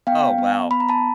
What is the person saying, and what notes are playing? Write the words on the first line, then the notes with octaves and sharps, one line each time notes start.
Oh, wow.
B3 F5 G5
B3
B3 B5
A#5
A5 B5